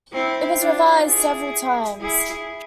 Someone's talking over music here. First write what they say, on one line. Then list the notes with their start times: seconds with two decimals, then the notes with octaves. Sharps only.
It was revised several times.
0.13 C4 E4
0.60 D4 F4
1.07 E4 G#4
2.01 E4 G#4